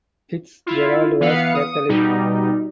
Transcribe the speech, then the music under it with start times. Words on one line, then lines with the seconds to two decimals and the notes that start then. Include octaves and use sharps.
Fitzgerald was Catholic.
0.66 E4 F4
1.20 E3 B3 B4 F5 C#7
1.55 D#6
1.89 B2 G3 D#4